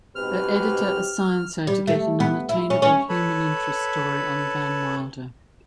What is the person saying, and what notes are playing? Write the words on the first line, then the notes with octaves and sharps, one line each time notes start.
Her editor assigns her to get an "unattainable" human interest story on Van Wilder.
G#2 B2 C4 G4 B4 F6
G3
A3
B3
E4
C#4
C#4
A4 B4 C#5 A5 B5